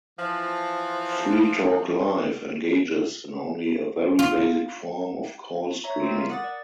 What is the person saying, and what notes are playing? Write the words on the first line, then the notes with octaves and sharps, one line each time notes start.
"Free Talk Live" engages in only a very basic form of call screening.
E3 F3
F4
C#5 E5 A#5
C4
F4 A#4
F#5 D6 D#6 A6
D5